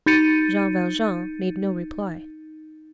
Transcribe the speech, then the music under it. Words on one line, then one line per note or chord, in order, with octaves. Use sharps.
Jean Valjean made no reply.
D#4 G6 A6 C#7 D#7